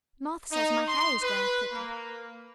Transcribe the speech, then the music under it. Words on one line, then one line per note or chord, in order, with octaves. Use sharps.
Martha says my hair is growing thicker.
D#4
C6
B4
A#3